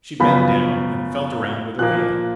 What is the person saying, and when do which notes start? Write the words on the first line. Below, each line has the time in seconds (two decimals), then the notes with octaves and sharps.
She bent down and felt around with her hand.
0.20 F#2 C#3 F3 B3 B5
1.79 A#2 F3 A#3 F#6